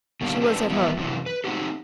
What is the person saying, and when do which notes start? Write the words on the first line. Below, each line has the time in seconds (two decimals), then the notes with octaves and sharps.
She was at home.
0.21 B2 D3 G3 A#3
0.41 C4 D4 G4 A4 B4
0.70 E3 G3 B3 E4
0.97 F#2 C3 E3
1.26 B4
1.44 C4 D#4 F#4 G4 A4